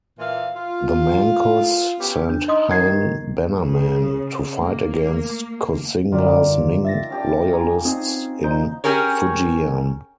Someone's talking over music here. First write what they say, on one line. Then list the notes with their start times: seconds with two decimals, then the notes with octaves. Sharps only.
The Manchus sent Han Bannermen to fight against Koxinga's Ming loyalists in Fujian.
0.19 A#2 E3 F4 E5 F5
0.56 F4
2.00 B3 C#4 G4
2.29 D4
2.48 D#4 D#5 C6 D#6
2.71 D#3 G#6 C7
3.59 C#3
4.58 A#3
6.12 F#2 D3 D#3 G3 F4 D5
6.85 E5 A6 A#6
7.10 C#4 G4 A5
7.53 G#5 A#5
7.85 C4 D#4 G#4
8.44 D#4 F4 C5 G6
8.84 C#4 G4 G#4 A#4 C#5